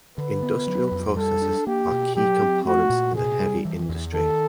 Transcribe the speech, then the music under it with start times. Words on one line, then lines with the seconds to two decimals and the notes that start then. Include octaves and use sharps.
Industrial processes are key components in the heavy industry.
0.18 D3 B4
0.43 B3
0.67 F#3
0.92 F2
1.17 G3 A4
1.42 D4
1.67 A#3 G4
1.91 B2
2.16 F#3 G4
2.41 C4
2.65 A3 F#4
2.90 A#2
3.14 C3 G#4
3.40 G3
3.65 E3
3.89 E2
4.13 D#3 A4